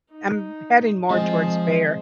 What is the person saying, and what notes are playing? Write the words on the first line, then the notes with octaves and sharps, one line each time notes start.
I'm heading more towards bear.
D#4
F3 G#3 C4 G#4 C5 D#5